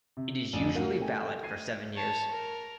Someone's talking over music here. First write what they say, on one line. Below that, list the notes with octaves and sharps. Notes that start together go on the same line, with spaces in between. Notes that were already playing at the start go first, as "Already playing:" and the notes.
It is usually valid for seven years.
C3
A1 F2 D4 D#7 E7
A2 F#4 A#4 F5 F#5
A3 G5 G#5
G#6 C7 D#7
C#5 A5
A#4